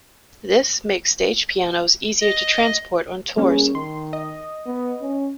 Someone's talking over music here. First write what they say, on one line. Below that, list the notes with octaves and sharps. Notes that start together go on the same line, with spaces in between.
This makes stage pianos easier to transport on tours.
D#5
G3 A#3 C#4 G#4
D#3 C6
D#5
B3
C#4